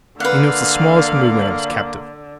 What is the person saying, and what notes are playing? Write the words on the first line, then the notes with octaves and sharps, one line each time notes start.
He notes the smallest movement of his captive.
D3 A#3 B4 F5 F#5